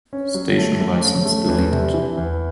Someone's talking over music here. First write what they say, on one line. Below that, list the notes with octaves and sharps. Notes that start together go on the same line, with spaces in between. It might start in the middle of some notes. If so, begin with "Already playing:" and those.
Station license deleted.
C#4
F#3
A3
A3
C#4
A3
E2
C3
E3
E2